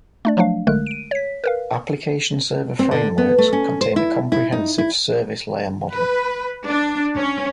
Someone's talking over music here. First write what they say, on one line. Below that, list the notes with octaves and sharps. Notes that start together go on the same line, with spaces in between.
Application Server Frameworks contain a comprehensive service layer model.
A3 D4 D5
F3 F#3 A3 D4 F5
B1 D3 G#3 A3 A#4 F#6
D7 D#7
C#5 B6
A#4 B4 F5
C4
D3
B3
A3
C#4
C5
E4
E4
D#4
E4
B4
D4
C#4